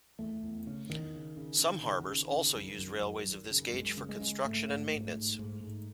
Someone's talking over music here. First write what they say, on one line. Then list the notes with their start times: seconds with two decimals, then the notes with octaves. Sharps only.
Some harbours also used railways of this gauge for construction and maintenance.
0.19 E2 A3
0.43 E2
0.67 C#3
0.90 E2 D#3
1.14 C#3
1.37 C#3
1.61 C#3
1.85 C#3
2.08 C#3
2.31 C#3
2.55 F#2
2.79 F#2
3.03 F#2
3.27 F#2
3.50 C#3
3.74 F#2 G#3
3.97 C#3
4.09 G#3
4.21 C#3
4.44 G#2 A3
4.68 G#2
4.92 G#2
5.16 G#2
5.39 G#2
5.63 G#2